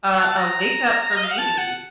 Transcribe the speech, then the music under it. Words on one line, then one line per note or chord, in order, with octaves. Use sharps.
a a wake up for me.
F#5
A5
A#5
D#5
F5
F#5
A5
F#5